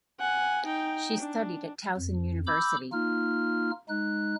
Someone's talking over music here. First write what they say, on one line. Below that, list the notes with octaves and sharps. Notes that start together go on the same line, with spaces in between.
She studied at Towson University.
F#5 G#5
D#4 G5
D4
F2
B5 D6 E6 G6
A#3 D#4 F4 F6
G#3 D#4 F#6